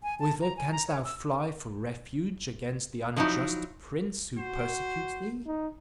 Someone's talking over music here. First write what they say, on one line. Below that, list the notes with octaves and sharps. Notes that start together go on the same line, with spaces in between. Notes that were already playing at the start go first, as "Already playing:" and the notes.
Whither canst thou fly for refuge against the unjust prince who persecutes thee?
G#5
A5
A#5
G#5
A#5
C#5
E6
D3 F3 F#3 A#3 D#4 E4
F#4 C5
D#4